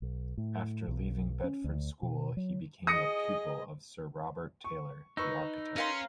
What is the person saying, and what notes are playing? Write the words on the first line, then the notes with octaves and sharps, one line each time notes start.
After leaving Bedford School he became a pupil of Sir Robert Taylor the architect.
B1
A2
B1
C#4
D2
B2
F#3
G#4 D#5 D#6 A#6 C#7
C#6
D#4 B4 C#6 E6
C#4 A#4 F5 C6